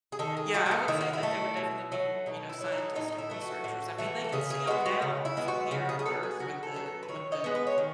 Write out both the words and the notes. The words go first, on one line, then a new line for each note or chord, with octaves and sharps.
Yeah. I would say that there would definitely be, you know, scientists and researchers. I mean, they can see 'em now from here on Earth with the with the
G#4
D#3 A4
G#4
A3 F#4
F#4
G#4
D#3 E4
F#4
E4
A3
B2
F#3 A3
B2 D#4
E4
F#3 A3
D#4
A2 D#4
D#4
E4
E3 A3
F#4
A2
E3 A3
A4
C#3 G#4
G#4
G#3 B3 F#4
F#4
C#3
E4
G#3 B3
F#4
C#3 F#4
G#4
G#4
F#3 B3 A4
G#4
C#3 F#4
A4
F#3 B3
A4
B4
D#3 C#5
D#5
G#3 B3
B4
C#5
D#3